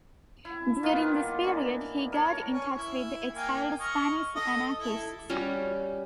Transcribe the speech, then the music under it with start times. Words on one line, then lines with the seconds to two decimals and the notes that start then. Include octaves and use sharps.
During this period he got in touch with exiled Spanish anarchists.
0.45 E4
0.83 D#3 A#3 B3 F4
1.44 E3 D4
2.12 A#4 C#5 A5
2.51 C#4 C#5
2.77 E4
3.35 A#3 G5 G#5
3.80 D#5 C#6 F6
4.35 A4 D#5
4.79 E4 A4
5.29 G3 C#4 F#4 G4